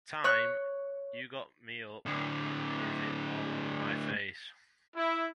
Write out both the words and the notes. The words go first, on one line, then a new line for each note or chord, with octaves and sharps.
"Time", "U Got Me Up" and "Is It All over My Face".
C#5 C#6 F#6
A2 D3
E4